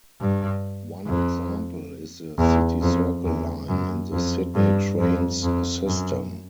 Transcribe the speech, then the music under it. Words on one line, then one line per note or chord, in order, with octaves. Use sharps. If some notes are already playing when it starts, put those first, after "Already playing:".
One example is the City Circle line in the Sydney Trains system.
G2
F2
E2
F2
E2
F#2
F2
G2
F2
F2
F#2